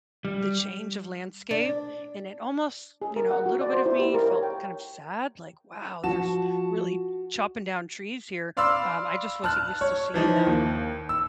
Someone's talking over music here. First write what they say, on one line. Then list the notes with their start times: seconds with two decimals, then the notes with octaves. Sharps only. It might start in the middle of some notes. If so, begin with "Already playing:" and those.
the change of landscape, and it almost you know, a little bit of me felt kind of sad, like, "Wow, they're s really chopping down trees here," um, I just wasn't used to seeing that.
0.25 G3
1.51 D4
3.02 G#4
3.16 A#4
3.31 F#5
3.46 F#4
3.61 D5
3.73 C5
3.86 E4
3.99 G4
4.14 A#4
4.29 C#5
4.43 G5
6.04 F3 F#4 A5 E7
8.57 D5 F5 B5 C6 D6 E6
9.44 A5 F6 F#6
9.81 C#5
10.14 E3 F3 D#4
10.47 D#2
11.09 E6